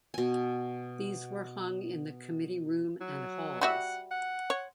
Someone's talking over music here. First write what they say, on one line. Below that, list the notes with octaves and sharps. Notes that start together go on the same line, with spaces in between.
These were hung in the committee room and halls.
B2 G#5
F#3
G3 F#4 E5 F#5
F#5
C#5